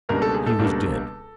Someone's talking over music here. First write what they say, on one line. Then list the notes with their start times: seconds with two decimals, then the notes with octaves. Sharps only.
He was dead!
0.09 C#2 B2 G3 A#3 D4 A#4
0.22 A4
0.34 G#4
0.46 A4
0.59 C#2 B2 G3 A#3 D4